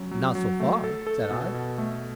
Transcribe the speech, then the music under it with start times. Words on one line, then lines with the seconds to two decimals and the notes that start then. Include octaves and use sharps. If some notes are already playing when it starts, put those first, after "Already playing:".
"Not so far," said I.
Already playing: F#3 C#4
0.11 F#3
0.35 F#3
0.60 A3
0.84 A4
1.07 A4
1.31 B2
1.54 B2
1.78 A3